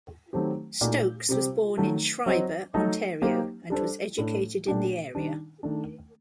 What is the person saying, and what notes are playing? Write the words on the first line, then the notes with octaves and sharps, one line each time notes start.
Stokes was born in Schreiber, Ontario and was educated in the area.
D#3 F#3 A3 C4 G4
A#2 A3 D#4 F#4
C3 G3 C4 G4
D#3 F#3 A3
F#3 C4 F#4 C5 D#5
F#3 A3 D#4 A4 D#5
F#3 A#3 D#4 G4 C5
G3 D4 A4 C5
A2 A3 D4 A4
A#2 A3 D4 G4
D#3 G3 D4
D#3 A3 D4